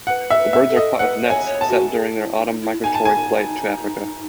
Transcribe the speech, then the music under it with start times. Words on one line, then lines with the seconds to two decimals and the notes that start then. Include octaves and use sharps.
The birds are caught with nets set during their autumn migratory flight to Africa.
0.07 B4 F#5
0.30 E5
0.38 B4
0.53 E5
0.68 A4
0.77 D#5
0.99 B4 F#5
1.22 C#5
1.30 G#5
1.45 C#5
1.61 A5
1.68 F#4
1.91 G#4
2.15 E4
2.37 D#4
2.61 E4
2.84 D#4 G#5
2.95 A5
3.05 G#5